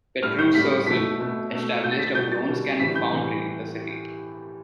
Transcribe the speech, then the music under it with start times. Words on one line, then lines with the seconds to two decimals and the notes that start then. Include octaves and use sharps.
Petru Cercel established a bronze cannon foundry in the city.
0.23 A2 G3 F6
0.39 G6
0.55 A2 G3 B6
0.87 B2 A3 B6
1.20 B2 A3
1.51 B2 A3
1.84 B2 A3 G6
1.91 A6
1.99 B6
2.07 A6
2.15 B2 G3 G6
2.32 A6
2.48 B2 G3
2.80 A2 E3 G3 B6
2.95 G6
3.11 A2 E3 G3